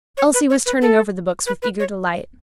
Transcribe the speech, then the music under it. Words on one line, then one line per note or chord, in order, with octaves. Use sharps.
Elsie was turning over the books with eager delight.
C#5
B4
C#5
B4
A4
B4
B4
C#5